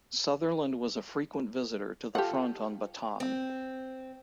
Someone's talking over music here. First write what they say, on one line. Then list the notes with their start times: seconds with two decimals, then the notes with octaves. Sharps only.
Sutherland was a frequent visitor to the front on Bataan.
2.15 F4 G4 A4 F#5
3.20 C4